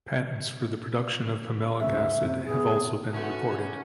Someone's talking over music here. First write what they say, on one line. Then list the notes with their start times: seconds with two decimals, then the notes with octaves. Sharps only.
Patents for the production of pimelic acid have also been reported.
1.80 D2 G2 C#3 E5
2.16 F#1 F2 C3
2.45 A#2 B3 G#4
3.14 D3 A3 B3 C#4 F#4